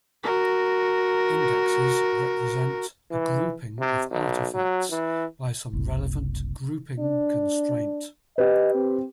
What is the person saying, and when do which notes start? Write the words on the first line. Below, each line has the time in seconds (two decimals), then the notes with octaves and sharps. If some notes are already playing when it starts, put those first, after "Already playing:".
Indexes represent a grouping of artifacts by some relevant grouping constraint.
0.23 F#4 A#4
3.11 E3
3.79 C3
4.11 B1
4.54 F#3
4.90 E3
5.73 F#1 C2
6.99 D4
8.38 G4 B4 D#5
8.75 C4